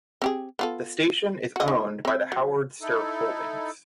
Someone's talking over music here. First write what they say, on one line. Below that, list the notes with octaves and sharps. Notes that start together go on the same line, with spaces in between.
The station is owned by the Howard Stirk Holdings.
C4 G4 G#4
B3 F4 A4
F#4 D#5
D#4
C4 E5
F#3
D#4 E4 A4